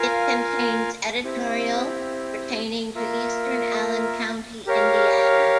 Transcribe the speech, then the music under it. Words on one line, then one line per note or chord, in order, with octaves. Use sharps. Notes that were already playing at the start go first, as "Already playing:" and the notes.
It contains editorial pertaining to Eastern Allen County, Indiana.
Already playing: F4 A#4 F5 G#5
C4 E4 G4
A#3 F4 A#4 E5
G4 A#4 C#5 F5